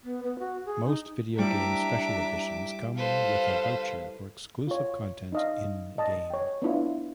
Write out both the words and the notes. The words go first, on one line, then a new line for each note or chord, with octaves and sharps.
Most video game special editions come with a voucher for exclusive content in-game.
B3
B3
F#4
G#4
D#4
G3 D4 E4 E5 A#5 D6
A4 B4 C5 F5
F4 C#5
D#4 D#5 F5
D#5 A5
C#5 G5
B3 D4 E4 F4